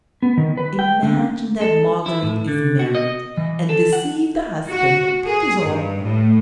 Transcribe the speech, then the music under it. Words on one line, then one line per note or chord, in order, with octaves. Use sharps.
Imagine that Marguerite is married, and deceive the husband; that is all.
B3
D#3
B4
G5
D3
A#3
A4
E4
A2
D3
F#4
D#5
E3
A4
F#5
F#4
G#4
G2
A2